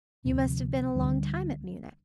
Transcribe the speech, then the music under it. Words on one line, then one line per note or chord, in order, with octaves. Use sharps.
You must have been a long time at Munich.'
D2 C3 F3
D2 D3 G3